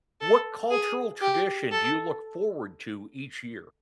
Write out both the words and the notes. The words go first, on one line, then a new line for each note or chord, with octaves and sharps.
What cultural tradition do you look forward to each year?
A4
G#4
G4
A4